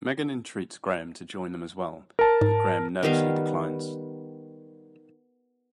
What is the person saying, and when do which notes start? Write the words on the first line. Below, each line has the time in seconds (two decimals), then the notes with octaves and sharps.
Megan entreats Graham to join them as well, but Graham nervously declines.
2.19 A#4 A5
2.41 G#2
3.03 D#3 G3 B3 F5